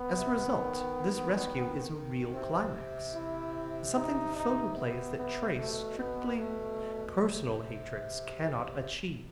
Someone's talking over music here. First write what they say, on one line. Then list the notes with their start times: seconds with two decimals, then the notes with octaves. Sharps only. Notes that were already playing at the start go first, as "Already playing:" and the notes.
As a result this rescue is a real climax, something the photoplays that trace strictly personal hatreds cannot achieve.
Already playing: B3
0.14 C3
0.35 C3
0.42 D#3
2.33 C3 C4
3.13 E4
3.95 D#4
4.36 D#4
4.77 B3
5.17 B3
5.57 B2 A3
5.99 B3
6.39 A3
7.21 C3